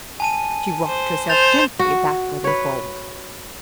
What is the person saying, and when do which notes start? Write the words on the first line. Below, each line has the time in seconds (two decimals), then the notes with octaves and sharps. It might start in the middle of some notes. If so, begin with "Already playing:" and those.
She rocked herself gently backward and forward.
0.20 G#5 A5 D#7
0.87 C5
1.29 C5 G6 A6 F7
1.79 F#4
2.44 B4 C#5